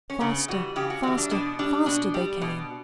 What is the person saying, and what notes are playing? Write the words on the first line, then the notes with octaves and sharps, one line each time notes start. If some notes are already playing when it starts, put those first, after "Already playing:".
Faster, faster, faster, they came.
C#4
C#3 B3
E3 G3 F#4
C#3 G4
F#4
E3 G3 F#4
D4
B2 D4
G3 D4
B2 D4
G3
B2